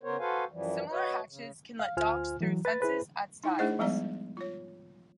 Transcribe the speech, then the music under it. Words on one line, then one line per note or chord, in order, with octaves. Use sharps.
Similar hatches can let dogs through fences at stiles.
C#3 B3 A#4 C5 C#5
F#4 A4 B4 C5 F5 G#5
F#2 E3 F3 G3
F#4 B4 C#5 D#5
C#3
F5
D2 F4 C5 G#5 F6
E3 F#3
B4 B5 A6
E4 G#4 B4 C5
D#4 E4 F#5
A3 D4 E4 G#4 C5 D#5
F3 G3 G#3 B3 D5 A#5
F4 C#5